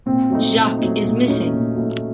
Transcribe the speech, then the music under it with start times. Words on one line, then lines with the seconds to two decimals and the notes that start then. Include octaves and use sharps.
Jacques is missing!
0.06 A#2 C4
0.30 F#3 A3 D#4
0.55 A#2
0.79 F#3 A3 D#4
1.04 A#2
1.28 F#3 A3 C#4 D#4
1.52 A#2
1.76 F#3 A3 D#4